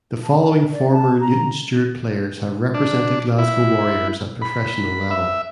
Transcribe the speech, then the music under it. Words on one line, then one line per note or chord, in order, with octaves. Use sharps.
The following former Newton Stewart players have represented Glasgow Warriors at professional level.
A5
D5
A5
A#5
D4
E4
B5
E5